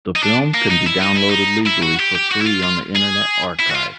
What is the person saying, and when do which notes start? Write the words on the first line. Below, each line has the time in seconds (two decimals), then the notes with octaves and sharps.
The film can be downloaded legally for free on the Internet Archive.
0.16 D#4
0.23 D4
0.54 A#3
0.71 D#4
0.87 E4
1.02 D#4
1.16 E4
1.29 D#4
1.67 E4
1.83 F#4
2.00 G4
2.15 G4
2.32 F#4
2.41 E4
2.47 F4
2.64 F4
2.96 G#4
3.59 E4
3.71 F#4
3.75 F4